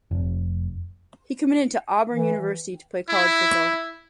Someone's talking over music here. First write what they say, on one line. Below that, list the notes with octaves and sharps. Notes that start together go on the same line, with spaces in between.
He committed to Auburn University to play college football.
F1
E3
E4